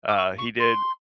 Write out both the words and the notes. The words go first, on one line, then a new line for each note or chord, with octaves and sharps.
Uh, he did.
D6
C#6
C#6
C6